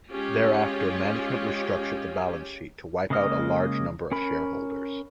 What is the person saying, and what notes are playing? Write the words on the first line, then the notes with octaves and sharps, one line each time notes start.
Thereafter management restructured the balance sheet to wipe out a large number of shareholders.
G#3 C#4 F4 G4
C#3 G#3 A#3 D#5 F6
C#4 A#4 B5